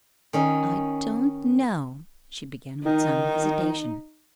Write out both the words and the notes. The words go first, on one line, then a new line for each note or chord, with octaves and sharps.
"I don't know," she began with some hesitation.
D#3 C#4 D#4
D#3 D#4